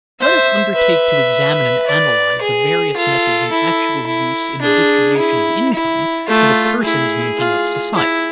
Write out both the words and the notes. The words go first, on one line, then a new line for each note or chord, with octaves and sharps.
Let us undertake to examine and analyze the various methods in actual use in the distribution of income to the persons making up society.
C5 E5
B4 E5
D5
G#4
F4 A4
E4
E4
D4 G#4
E4
E4
A3 F4
E4 G#4
F4
E4